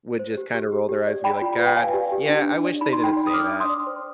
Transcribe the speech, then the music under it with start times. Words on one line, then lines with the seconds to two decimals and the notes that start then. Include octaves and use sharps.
would just kinda roll their eyes and be like, "God. Yeah, I wish they didn't say that,
0.19 C5
0.38 G4
0.54 G4
0.72 G4
0.89 G4
1.07 D5
1.24 D5 G5 B5
1.42 F4
1.59 B4
1.66 G5
1.76 D5 F5 G#5
1.94 G4
2.12 G4
2.29 D4
2.47 D4
2.65 D5
2.81 D#4 B5
2.93 C6
2.99 D#4 G5 B5
3.17 D5
3.27 D#6
3.34 D4 D6 F6
3.52 D4
3.60 C6 D#6
3.69 D5
3.87 C5